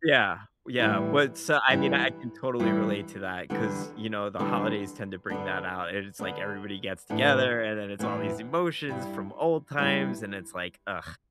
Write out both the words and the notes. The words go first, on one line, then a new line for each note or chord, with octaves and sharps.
Yeah. Oh, yeah, but s I mean, I can totally relate to that, 'cause, you know, the holidays tend to bring that out, and it's like everybody gets together, and then it's all these emotions from old times, and it's like, "Ugh,"
A2 E3 G3 E4
G2 E3 G3 E4
G2 E3 G3 E4
E2 D3 G3 B3 D4
E2 D3 G3 B3 D4
D3 B3 D4
D3 B3 D4
A2 E3 B3 D4
A2 E3 B3 D4
G2 G3 E4
G2 G3 E4